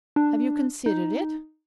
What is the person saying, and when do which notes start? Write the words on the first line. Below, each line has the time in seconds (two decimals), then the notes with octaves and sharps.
Have you considered it?'
0.16 D4
0.86 D#4